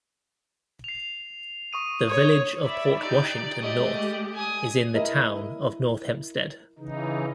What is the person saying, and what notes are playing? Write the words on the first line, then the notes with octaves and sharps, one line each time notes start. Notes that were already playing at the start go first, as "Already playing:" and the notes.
The Village of Port Washington North is in the Town of North Hempstead.
C7 F7
C#6 D#6 D#7
C#5 D#6
D5 E5 B5
D#4 G4 D5
G#3 A3 G4 D5 D#5
G#5 D#6
E4 A#4 D#5
C#3 E3 D#4